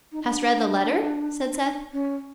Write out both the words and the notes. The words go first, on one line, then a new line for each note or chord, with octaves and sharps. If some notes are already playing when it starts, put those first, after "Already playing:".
"Hast read the letter?" said Seth.
D#4
D4
C#4